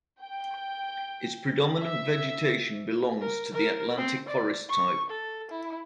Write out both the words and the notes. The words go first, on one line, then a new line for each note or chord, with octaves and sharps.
Its predominant vegetation belongs to the Atlantic Forest type.
G5
E5
A#4
A#4
C4
D5
C#6
A4
E4